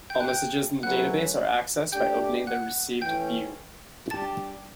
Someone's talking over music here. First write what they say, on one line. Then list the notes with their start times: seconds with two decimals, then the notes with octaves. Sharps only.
All messages in the database are accessed by opening the "Received" view.
0.10 G5 G6
0.20 F#6
0.28 G5 G6
0.83 F#3 A3 C#4 E4 B4 F#5 F#6
1.92 A3 D4 G4 G5 G6
2.47 F#5 F#6
3.01 E3 A3 C#4 G5 G6
4.10 G3 D4 G4 A5 A6